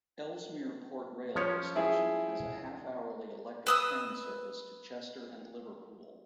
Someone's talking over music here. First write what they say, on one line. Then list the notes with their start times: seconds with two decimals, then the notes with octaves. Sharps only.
Ellesmere Port railway station has a half-hourly electric train service to Chester and Liverpool.
1.36 F3 C#4 C#5
1.75 E4 G#4
3.67 B4 D#6 E6